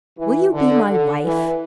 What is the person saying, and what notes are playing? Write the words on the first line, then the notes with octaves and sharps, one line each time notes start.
Will you be my wife?
E3
D3
D3
E3